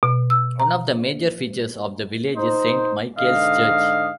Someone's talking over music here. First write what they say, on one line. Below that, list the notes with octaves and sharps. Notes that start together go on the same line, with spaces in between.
One of the major features of the village is Saint Michael's Church.
B2
E6
A#5
D#4 C5
G#2 D3 D#5 F5